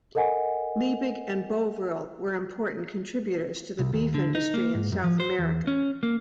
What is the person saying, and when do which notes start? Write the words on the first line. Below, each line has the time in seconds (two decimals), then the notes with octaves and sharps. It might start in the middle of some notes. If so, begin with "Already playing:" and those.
Liebig and Bovril were important contributors to the beef industry in South America.
0.15 A4 A#4 D#5 F#5 G#5
3.79 C2
3.94 D#2
4.14 D3
4.35 D#4
4.54 A#3
4.75 G#2
4.92 F#2
5.04 F3
5.20 C5
5.39 E2
5.67 C#4
6.03 A#3